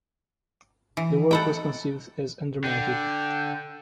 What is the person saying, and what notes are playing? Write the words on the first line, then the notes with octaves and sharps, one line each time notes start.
The work was conceived as undramatic.
E3
D#4 A4 F#5 G5 B5
D3 G5